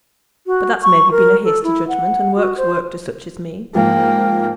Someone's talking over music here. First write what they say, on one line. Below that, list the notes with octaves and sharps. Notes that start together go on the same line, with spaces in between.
But that's maybe been a hasty judgment; and work's work to such as me.
F#4
C#6
A#4
A4
E4
F#5
F#4
C5
G#2 F3 A#3 G5